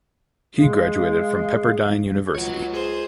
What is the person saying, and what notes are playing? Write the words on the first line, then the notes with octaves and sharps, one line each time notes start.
He graduated from Pepperdine University.
G#3 G#4 F5
C#2 F#4 C#5
G#4 C5